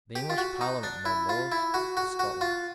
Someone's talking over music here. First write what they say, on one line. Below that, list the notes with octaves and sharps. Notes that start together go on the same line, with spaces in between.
The English Parliament made laws for Scotland.
G4
F4
F#4
D#4
D4
E4
F4
E4
F#4
F#4
F#4
F4